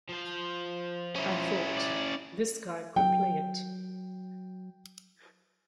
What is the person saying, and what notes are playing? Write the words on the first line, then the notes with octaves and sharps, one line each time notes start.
I thought, This guy could play it.
F3 C5
C#4 E4
D5
F#3 G5